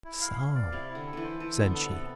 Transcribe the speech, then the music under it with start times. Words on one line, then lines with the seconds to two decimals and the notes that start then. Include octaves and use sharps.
"So!" said she.
0.05 E4
0.21 F5
0.38 F5
0.55 D5
0.72 C3 E4
0.89 E4
0.95 D3
1.06 A4
1.13 D3 E3
1.23 C5
1.40 E3 A4
1.57 B3
1.63 D3
1.74 A4
1.86 C3
1.91 B3